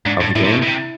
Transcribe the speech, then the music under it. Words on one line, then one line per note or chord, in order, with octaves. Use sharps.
of the game?
G#2 D4
A2
A2 E4
C3
B2
B2
C3